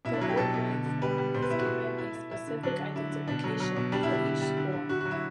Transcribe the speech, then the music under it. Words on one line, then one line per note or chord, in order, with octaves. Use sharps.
The Old Boy form is given a specific identification for each school.
B2 E4
D4
F#3 E4
G4
B2 A4
B2
D3
D3
G3 B4
G3
B2 C5
B4
B2 E4
F#4
B2
A3
A3 E4
A3
A3 E4
D3
F#3 D4
D3
D3 E4
D3
B2 D4
F#3
F#3
B2
G3 D4
E4
D3
E4
D3
G3
D3
D3
D3 F#4
F#3 F#4
E4